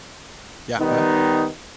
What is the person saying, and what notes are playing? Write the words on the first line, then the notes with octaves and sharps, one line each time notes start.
Yeah, go ahead.
D#3 G3 B3 D#4